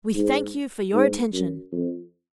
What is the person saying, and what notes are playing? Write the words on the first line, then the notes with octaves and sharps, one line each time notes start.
"We thank you for your attention!"
G#2
G#2
F#2
F2